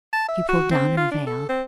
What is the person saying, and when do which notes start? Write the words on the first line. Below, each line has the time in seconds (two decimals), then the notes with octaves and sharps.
She pulled down her veil.
0.13 A5
0.28 E5
0.49 F#4
0.71 C4
0.97 F4
1.11 D4
1.27 A4
1.49 C4